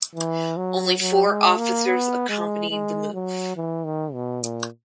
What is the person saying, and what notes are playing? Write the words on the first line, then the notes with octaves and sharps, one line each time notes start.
Only four officers accompanied the move.
E3
F#3
F#3
G#3
A#3
B3
G#3
G#3
F#3
E3
D#3
B2
A#2